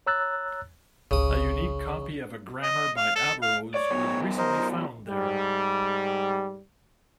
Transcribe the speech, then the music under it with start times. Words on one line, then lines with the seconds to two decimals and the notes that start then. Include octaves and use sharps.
A unique copy of a grammar by Averroes was recently found there.
0.07 C#5 A#5 E6 F#6 A6
1.11 G#1 C#2 C#3 D#6
2.63 D#5
2.97 F5
3.15 A4
3.42 F5
3.74 C#5 D5
3.91 F#2 B2
4.38 A#4 C5 D#5
5.09 G#2 G3